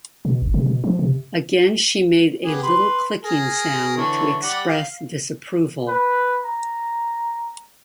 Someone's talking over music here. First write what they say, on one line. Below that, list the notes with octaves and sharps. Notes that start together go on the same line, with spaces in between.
Again she made a little clicking sound to express disapproval.
B2
G1
C3
B2
F3
C3
B3 G4 G#4
B4 C6
G#4 A#4
D3 E3 C#5
G3 G4 F#5
F5
B4
A#5